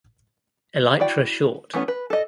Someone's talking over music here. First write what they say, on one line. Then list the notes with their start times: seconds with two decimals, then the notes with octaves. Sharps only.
Elytra short.
1.00 E4 F#4 D5 G5
1.74 E3 A3 B3 C#4
1.88 B4
2.10 A4 D#5